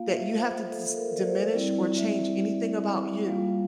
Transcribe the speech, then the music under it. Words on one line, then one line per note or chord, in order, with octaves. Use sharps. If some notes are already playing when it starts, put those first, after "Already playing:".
that you have to dis diminish or change anything about you,
Already playing: A#3 F4 F5
E5
C5
A4
A4
A#4
D5
C5
G3 C4 E4 D5
E5
G3 A#3 F4 F5